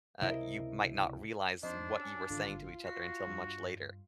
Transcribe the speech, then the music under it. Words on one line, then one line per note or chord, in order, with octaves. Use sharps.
uh, you might not realize what you were saying to each other until much later.
C#2 C3 E4 A#4 D#5 E5
F2 D4 D#4 C5
C#4 E6
G#1 D3 F4
F#4 B6 C7
G2